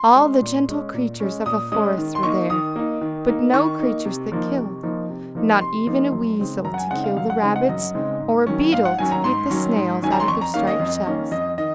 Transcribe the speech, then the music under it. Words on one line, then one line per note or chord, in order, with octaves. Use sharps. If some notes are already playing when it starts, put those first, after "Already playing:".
All the gentle creatures of a forest were there, but no creatures that killed, not even a weasel to kill the rabbits, or a beetle to eat the snails out of their striped shells.
Already playing: C6
G#3 C#4
A#2
G#3 C#4
A#2
G#3 C#4
A#2 D#6
G#3 C#4 D#6
D#3
C6
A#3 D#4 C#6
D#3 D#6
A#3 D#4
D#3
A#3 D#4
D#3 C#6
A#3 D#4
C3
F3 A#3 D#4
C3
F3 A#3 D#4
C3
F3 A#3 D#4
C3 C6
F3 A#3 D#4
F#2
C#3 G#3 C4 D#4
F#2 A#5
F#5
G#5
C#3 G#3 C4 D#4 F#5
F5
F#2 F5
F#5
C#3 G#3 C4 D#4
F#5
F#2 D#5
C#3 G#3 C4 D#4
G#2
D#3 F#3 C#4
G#2 F5
F#5
D#3 F#3 C#4 G#5
A#5
G#2 C6
D#3 F#3 C#4
G#2
D#3 F#3 C#4 G#5
A#5
C6
F2 C#6
A#5
D#3 A#3 C#4 F5
D#5
F2
D#3 A#3 C#4
F2 D#5
D#3 D#5